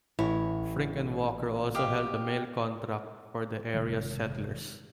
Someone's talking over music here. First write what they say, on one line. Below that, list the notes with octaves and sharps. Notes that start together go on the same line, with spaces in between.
Frink and Walker also held the mail contract for the area's settlers.
A1 E4 C#5
G4 D#5 F5
F#1 C3 D#3 G#3